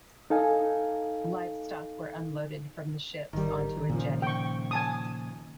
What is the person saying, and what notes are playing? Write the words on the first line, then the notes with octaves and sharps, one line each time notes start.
Livestock were unloaded from the ships onto a jetty.
D#4 A4 F5 G#5
G#1 D#3 G3
A#2 C#3 F3
G5 C#6
G#5 A5 D#6